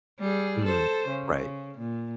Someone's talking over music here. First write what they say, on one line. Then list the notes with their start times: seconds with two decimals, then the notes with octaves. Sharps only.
Mm, right.
0.20 G3 G#4
0.65 A4 C5
1.08 C#3
1.78 A#2